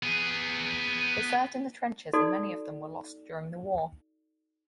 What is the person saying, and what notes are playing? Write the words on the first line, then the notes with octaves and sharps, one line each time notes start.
They served in the trenches and many of them were lost during the war.
B3 G#4
D#4 F#4 A4 D5